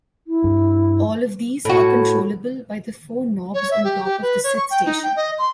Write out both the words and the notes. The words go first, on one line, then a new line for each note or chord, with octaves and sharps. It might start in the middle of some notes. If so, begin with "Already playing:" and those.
All of these are controllable by the four knobs on top of the SidStation.
E4
G2
A2 F#4
C#5
E5
G4
G4
B4
C#5
C#6
G5
D#4
G5
D#5
C6